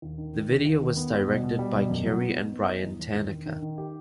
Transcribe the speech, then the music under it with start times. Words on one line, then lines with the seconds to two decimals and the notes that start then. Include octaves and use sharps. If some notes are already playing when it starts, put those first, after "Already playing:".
The video was directed by Carey and Bryan Tanaka.
0.02 D#2
0.18 D#3
0.33 D#3
0.49 D#2
0.65 D#2
0.80 D#3
0.97 B3
1.12 G3
1.28 B2
1.44 B2
1.59 G3
1.74 B2
1.90 F#2
2.06 F#3
2.21 B3
2.37 D#4
2.52 B3
2.68 D#4
2.83 E2
2.99 E2
3.14 D#3
3.31 D#3
3.46 D#3
3.62 D#3
3.78 G4